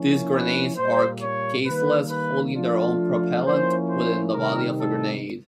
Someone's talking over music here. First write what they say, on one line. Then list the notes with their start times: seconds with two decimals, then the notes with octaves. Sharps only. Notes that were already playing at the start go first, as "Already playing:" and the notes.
These grenades are caseless, holding their own propellant within the body of the grenade.
Already playing: F3 A#3 C#4 E4
0.32 B4
0.76 A#2 G3 A#3 C5
1.21 C#5
1.65 D#3 G3 A#3 B4
2.10 B4
2.55 F3 A3 D4 F4
3.45 F3 A#3 C#4 E4 C5
3.90 C5
4.33 C3 D#3 G3 C4 D#4 A#4
4.79 A4